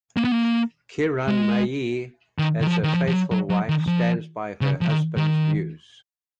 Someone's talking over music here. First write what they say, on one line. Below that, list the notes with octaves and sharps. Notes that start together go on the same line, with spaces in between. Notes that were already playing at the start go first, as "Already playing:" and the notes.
Kiranmayee as a faithful wife stands by her husband's views.
A#3
B3
A#3
G#3
D#3
D#3
F3
D#3
F3
F3
F#3
F#3
F#3
D#3
F3
C#3
F3
D#3
D#3